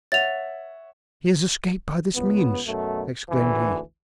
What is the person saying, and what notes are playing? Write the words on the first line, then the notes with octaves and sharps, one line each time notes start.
"He has escaped by this means," exclaimed he.
C#5 E5 F#5 A6 F7
C#2 B3
F#2 B2 A3
G#1 D2 E3